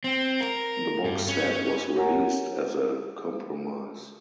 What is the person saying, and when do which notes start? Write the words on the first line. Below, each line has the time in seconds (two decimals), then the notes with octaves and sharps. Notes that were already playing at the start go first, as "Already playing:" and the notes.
The box set was released as a compromise.
0.04 C4
0.41 A#4
1.04 G2
1.28 C#4
1.96 G4 A#4 C#5 F#5 G#5 A#5